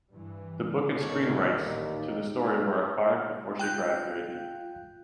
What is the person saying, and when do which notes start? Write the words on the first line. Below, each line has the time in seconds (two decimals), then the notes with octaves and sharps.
The book and screen rights to the story were acquired before she graduated.
0.11 G2 E3
0.99 A1 D#2 A2 D#4 A4 C#5 D5
3.59 F4 G5 F#6 G6